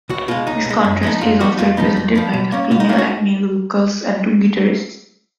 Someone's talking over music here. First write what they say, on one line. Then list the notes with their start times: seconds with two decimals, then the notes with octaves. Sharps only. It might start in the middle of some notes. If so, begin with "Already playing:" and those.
This contrast is also represented by the female and male vocals and two guitarists.
0.09 C#2 F#4
0.28 B2 G#3 F4
0.47 C#2 D#4
0.65 B2 G#3
0.84 F#2
1.03 F3 B3 D#4
1.21 F#2 F4
1.40 F3 B3 D#4 F#4
1.59 F2 F4
1.77 F3 B3 D#4
1.97 F2
2.15 F3 B3
2.33 B2
2.52 A#3 C#4
2.71 B2 F4
2.80 D#4
2.89 A#3 F4
2.93 C#4
2.98 F#4